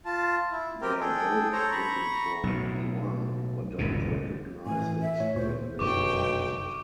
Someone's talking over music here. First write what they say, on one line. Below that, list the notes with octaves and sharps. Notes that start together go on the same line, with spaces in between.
They're both looking for 'The One', but don't recognize it when they find it.
F4 A5
E4
C4 G4 A#4 G5
G#4 A4 G5
A4 C5 C#5 A#5
A#5 B5 C#6
B1 A2
D#1 C#2 G2 B2
A2 E3 G#5
E5
A2 C#5
D2 A#2 C5 C#6
F1 B1 F#2 D3 G5 C#6 D6